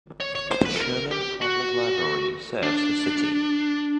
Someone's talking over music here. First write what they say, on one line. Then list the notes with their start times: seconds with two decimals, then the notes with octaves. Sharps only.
The Sherman Public Library serves the city.
0.20 C#5
0.35 C#5
0.51 C5
0.65 B4
0.76 A4
0.81 A#4
1.11 G4
1.42 F#4
2.63 D4